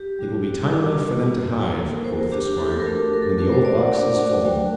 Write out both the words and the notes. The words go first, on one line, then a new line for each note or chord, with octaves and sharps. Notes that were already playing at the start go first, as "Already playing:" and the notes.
"It will be time enough for them to hive," quoth the Squire, "when the old box is full."
Already playing: G4
G3 D4 F#4
G3 D4 F#4 A4
A#3 D#4 F#4
A#3 D#4 F#4 A4
A#4
C5
A#4
A3 D4 F#4 G4
G4
A4
A4
A#4
A3 D4 F#4 A4
A#4
A4
A#4
A4
A3 D4 F#4 A#4
C5
D5
F#5
A3 D4 F#4
F#3 A3 D4 F#4 G5